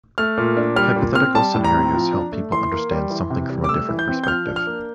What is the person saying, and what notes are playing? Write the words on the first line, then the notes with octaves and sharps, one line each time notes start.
Hypothetical scenarios help people understand something from a different perspective.
A3 F6
A#2
D4
G3 F6
A#2
C4 F6
G3 A5
A2
A#5
C4
F3
D4
A3
E3 C6
A#3
G3
E3
C3
G3
D6
A3 E6
E3
G6
C4
G6
F3 F6
D4
F6
A#3